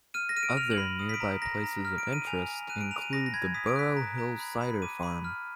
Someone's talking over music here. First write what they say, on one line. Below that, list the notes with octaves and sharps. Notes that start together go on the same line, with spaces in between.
Other nearby places of interest include the Burrow Hill Cider Farm.
F6 D#7
A#6
F6 D#7
D7
F6 F7
F#7
B5
D#6
B6
D7
A#5
A#5 A#6
A#5
F6
D7
F6
D#7
G#5 F7
G#5
F#6 D#7
D7
A#5 F7
D#7
B5 A#6
A#6
B5 G#6
D#6 B6
D7
F#6 B6
A#5
A#5
B5
B5
D6 D#7
B5
F6